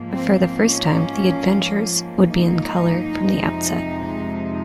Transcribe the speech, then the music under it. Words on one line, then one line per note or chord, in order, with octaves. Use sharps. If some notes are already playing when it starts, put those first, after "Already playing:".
For the first time, the "Adventures" would be in colour from the outset.
Already playing: G#2 F3 A#3
C4
C#4
D#4
F2 C3 F3 G#3